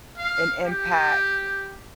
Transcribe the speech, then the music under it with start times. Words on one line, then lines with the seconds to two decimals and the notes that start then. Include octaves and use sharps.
an impact
0.18 F5
0.65 G4